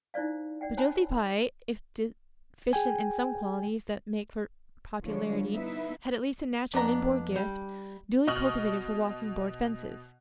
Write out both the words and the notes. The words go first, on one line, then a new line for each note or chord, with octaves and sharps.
But Josie Pye, if deficient in some qualities that make for popularity, had at least a natural and inborn gift, duly cultivated, for walking board fences.
D#4 E4 C5 D5 F5
D5 F#5 G5
C5 C#5 F#5 G#5 A5 B5
G#4 G5 G#5
D3 F3 G3 D4 C#5
B3 D#4 E4 B4 E5
F2 B3 D4 A#5
G3
B2 D#5 C#6 F6 F#7